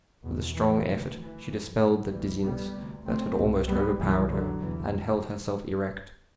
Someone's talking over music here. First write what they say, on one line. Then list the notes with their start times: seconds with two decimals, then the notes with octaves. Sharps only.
With a strong effort she dispelled the dizziness that had almost overpowered her, and held herself erect.
0.24 E2 B2
0.55 E3
0.87 D2 C3
1.18 E3
1.49 F#2
2.11 C2 B2 E3 G3
2.43 G3 B3
2.74 D2 C3
3.06 A3 C4
3.37 C2 B2
3.68 G3 B3
3.99 C2 B2 E3 G3
4.31 D3 F#3
4.62 E2 C3 E3